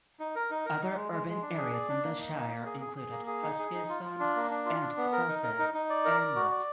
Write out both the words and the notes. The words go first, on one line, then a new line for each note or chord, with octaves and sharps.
Other urban areas in the shire included Huskisson and Sussex Inlet.
D#4
A#4
D#4
A#4
D#4
G#3
G#3
G#3
D4
G#4
D5
D4
A#3
D#4
A#3
A#3
G#4
G#4
G#4
A#3
G#4
D#4
G#4
D#4
F4
F4
D4
A#3
D4
F4
D4
B3
A#4
D#4
A#4
D#4
D#4
D5
A#4
D5
F#4
D5